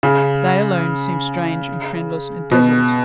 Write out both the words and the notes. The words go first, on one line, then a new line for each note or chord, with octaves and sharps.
They alone seemed strange and friendless, and desolate.
C#3
B2